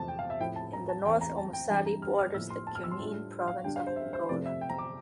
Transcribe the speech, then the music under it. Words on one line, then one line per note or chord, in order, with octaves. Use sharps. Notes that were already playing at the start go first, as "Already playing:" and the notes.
In the north, Omusati borders the Cunene Province of Angola.
Already playing: E2 C3 F3 A3 C4 A5
G5
F5
E5
A2 F3 C4 E4 G5
A5
A#5
A5
E2 E3 A3 C4 G5
A#5
A5
G5
G2 E3 G3 C4 A5
A#5
F6
F6
A2 F3 A#3 E4 E6
C6
A5
F6
E6
C6
A2 G3 D4 F4
F5
D3 G3 D4 G5
F5
C5
E5
C5
F2 C3 F3 A3 C4 D5
E5
G5
A#5
D6